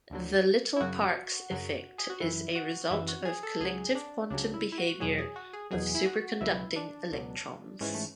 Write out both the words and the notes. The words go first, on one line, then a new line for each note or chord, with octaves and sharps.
The Little-Parks effect is a result of collective quantum behavior of superconducting electrons.
D2 D3 F#3
E4
F#2 C#3 F#3 F#4
F#2 C#3 F#3
G#4
F#4
F#2 E3 E4
F#4
F#2 E3 E4
F#4
G#4
A4
C#2 C#3 F#3 G#4
D4
C#2 C#3 F#3 D4
E4
E4
F#4
E2 B2 F#3 G#4
G#4
F#4
G#4
E2 B2 F#3 G#4
E4
F#4
C#2 B2 F#3 E4
D4
C#2 B2 F#3
G#2 E3 C#4
A3